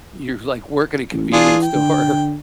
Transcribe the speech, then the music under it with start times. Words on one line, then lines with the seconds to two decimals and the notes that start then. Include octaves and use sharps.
you, like, work in a convenience store,
1.13 A1
1.33 E3 D4 F4 G#4
1.62 G5
1.75 D3